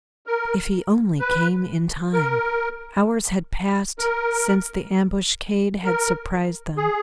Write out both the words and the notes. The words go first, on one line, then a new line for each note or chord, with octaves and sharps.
If he only came in time! Hours had passed since the ambuscade had surprised them.
A#4
B4
A#4
A#4
A#4
G#4